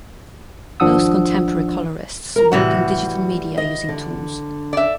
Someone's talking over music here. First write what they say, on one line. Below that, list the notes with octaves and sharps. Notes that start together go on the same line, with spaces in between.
Most contemporary colorists work in digital media using tools.
G#1 F3 D4 F#5 D#6 E6
A#4 A#5
A2 C3 E3 G3 F#4
D#5
D3
D5 E5